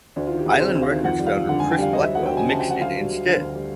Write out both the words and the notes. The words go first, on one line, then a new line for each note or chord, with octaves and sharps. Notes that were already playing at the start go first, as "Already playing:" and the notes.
Island Records founder Chris Blackwell mixed it instead.
D2 D4
F4
D#3
G4
D2 G#4
C3 C5
D2
F5
D#3
F2 F#5
G3
F5
F2
D3 F#5
G#5
F2
G5
G3 F5
D2 D#5
E5
F#3
F#5
D2 G5
C#3 G#5
A5
D2
G5
F#3 F#5
D2 F5
G3
D2
D3
D2
G3